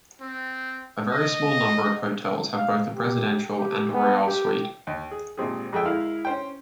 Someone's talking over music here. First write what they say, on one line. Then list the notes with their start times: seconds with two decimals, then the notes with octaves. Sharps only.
A very small number of hotels have both a Presidential and a Royal suite.
0.21 C4
1.11 D#5
2.56 F5
2.95 G4
3.58 G4
3.93 B3
4.26 G4
4.87 D#2
5.11 G#4
5.38 G#1 A#2 C4 G4 G#4
5.73 F2 G#3 G#4 A4 E5 G5
5.85 G#3 E4 A#4 F5
6.25 C#4 C5 G5